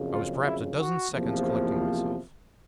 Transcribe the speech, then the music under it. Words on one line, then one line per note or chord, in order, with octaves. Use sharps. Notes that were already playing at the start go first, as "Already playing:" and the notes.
I was perhaps a dozen seconds collecting myself.
Already playing: F#1 F2 C#3
F4
E4
F#4
E2 C3 F3 A#3
E4